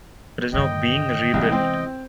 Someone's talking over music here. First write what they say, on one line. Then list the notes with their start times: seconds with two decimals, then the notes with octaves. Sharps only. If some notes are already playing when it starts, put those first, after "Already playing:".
It is now being rebuilt.
0.54 G2 D3 D#3 D#5 G5
1.34 C2 C3 E3 G#3 B3 E4
1.52 C4